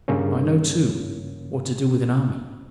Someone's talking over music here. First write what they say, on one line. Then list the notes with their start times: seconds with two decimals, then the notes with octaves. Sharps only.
I know, too, what to do with an army.
0.08 G2 C#3 A#3 C#4